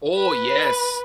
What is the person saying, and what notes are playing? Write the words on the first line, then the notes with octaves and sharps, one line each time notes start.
Oh, yes.
B4